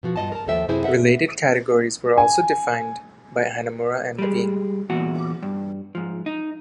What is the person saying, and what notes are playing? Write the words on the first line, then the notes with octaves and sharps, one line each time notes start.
Related categories were also defined by Hanamura and Levine.
B2 F3 F#4
G2 F4 D#5 F#5 A5
A#4 A5
D#2 F3 A4 C5 E5 G5
F#2 C3 E4 G#4 C5 G#5
A4 A#4 D#5 E5 F#5
G#5
G3 G#3
E2 A#2 F#4
G2
G#2 F3
D#4